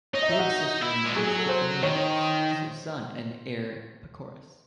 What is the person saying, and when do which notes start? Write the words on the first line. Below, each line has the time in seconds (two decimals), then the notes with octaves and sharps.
He gave his sister in marriage to Orodes' son and heir Pacorus.
0.14 D#4 C#5
0.22 D#5
0.31 E5
0.39 F#4
0.82 E4
1.05 G#3
1.15 F#3 G#4
1.26 G#4
1.38 A4
1.49 C5
1.82 D#3 C#5